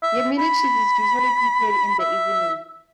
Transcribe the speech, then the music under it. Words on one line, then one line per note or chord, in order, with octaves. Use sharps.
Yemeni cheese is usually prepared in the evening.
E5
B5
E5